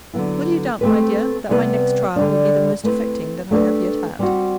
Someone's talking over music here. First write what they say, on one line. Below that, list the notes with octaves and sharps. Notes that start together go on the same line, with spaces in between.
Will you doubt, my dear, that my next trial will be the most affecting that I have yet had?
D3 F#3 B3 E4
A3 C4 G4 B4
C3 G3 B3 E4 B4
D3 G3 D4
A3 C4 E4 B4
A3 D4 G4 B4
G3 C4 F#4